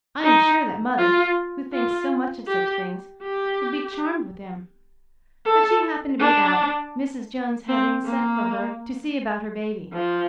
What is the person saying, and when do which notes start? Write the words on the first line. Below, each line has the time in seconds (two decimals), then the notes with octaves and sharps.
I am sure that mother, who thinks so much of such things, would be charmed with him but she happened to be out, Mrs. Jones having sent for her to see about her baby.
0.24 D#4
0.98 F4
1.73 F4
2.48 G4
3.22 G4
5.46 A4
6.20 D4
7.69 C4
8.06 A#3
9.92 F3